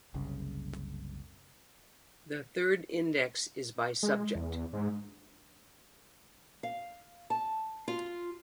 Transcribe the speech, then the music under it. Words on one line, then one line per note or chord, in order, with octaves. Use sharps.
The third index is by subject.
F#1 C2 C#3
G#3
E2
G#2
F5
A5
F4